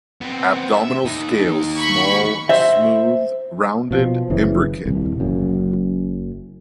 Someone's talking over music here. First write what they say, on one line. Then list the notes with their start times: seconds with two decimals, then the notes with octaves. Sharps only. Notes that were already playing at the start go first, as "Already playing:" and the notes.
Abdominal scales small, smooth, rounded, imbricate.
0.21 B3 C4
0.73 E5
1.05 D#2 D#4
1.79 B5 C#6
2.49 C5 E5
3.91 B2 F3
4.30 F#1 C#3 E3
4.85 D#1 C2
5.20 F#1 F#2